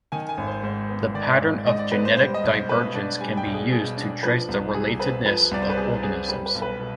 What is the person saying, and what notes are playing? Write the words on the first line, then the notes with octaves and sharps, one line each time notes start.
The pattern of genetic divergence can be used to trace the relatedness of organisms.
D#3 G#5
G#5
G#1
C5
G#2 C5
B3
D#3 D5
G#1
G#2 D#5
D5
B3 B4
C5
G3 C5
D#5
B1
C5
B2 B4
D4
G3 G#5
G5
B1
G#4
B2 G#4
D4
F3 B4
C2
C3 G#4
C4 B4
F3 B4
C2 D5
C5
B4
C3 G#4
C4 G#4
G3 B4
B4
B1
B4
B2